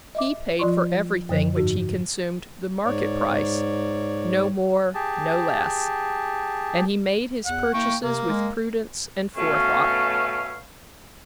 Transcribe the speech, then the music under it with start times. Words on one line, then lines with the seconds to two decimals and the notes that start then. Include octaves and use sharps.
He paid for everything which he consumed the market price--no more, no less--and he made his purchases with prudence and forethought.
0.15 D#5 E5 D6
0.59 F3 F4 D5 C6 C#6
1.29 F#2 D3 F3
1.56 G#2 D#4 F#4
2.85 G#2 C#5 D5
4.94 G4 G#4 A5
7.46 E2 F#5
7.74 A#3 G5 C#6
8.03 C3 A#3
8.28 G#3
9.36 B2 A3 C#4 F5